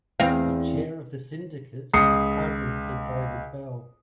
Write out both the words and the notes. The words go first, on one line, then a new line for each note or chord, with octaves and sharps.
The Chair of the Syndicate is currently Sir David Bell.
E2 C4 F5
C#2 D#6 C7 C#7